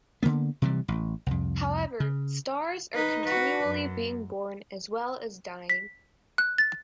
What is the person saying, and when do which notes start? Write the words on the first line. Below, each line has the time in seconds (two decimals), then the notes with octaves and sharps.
However, stars are continually being born as well as dying.
0.23 D3 E3 A#3 B3
0.62 C3 E3 G3
0.88 A1
1.26 C2 F2
2.00 C#3
2.95 D#4 B4
3.25 F#4 B4
3.67 F#2
5.70 B6
6.38 F#6
6.58 A6